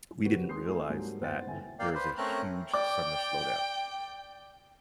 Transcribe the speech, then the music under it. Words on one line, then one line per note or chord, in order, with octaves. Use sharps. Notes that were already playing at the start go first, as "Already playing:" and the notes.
we didn't realize that there is a huge summer slowdown.
C#3 C4 F#4 G4 A#4 B4
G#3 C6 D#6 G6 C7
A3 C4 F4 G#5
G#2 F#3 G3 A#3
F#1 B3 C5 F#5 G5 A6
G1 E2 D3 E5 G#5
A#3 D5 F5 G5
B4 C5
A3 C4 C#4 A#4 F#6
D5 G5 D6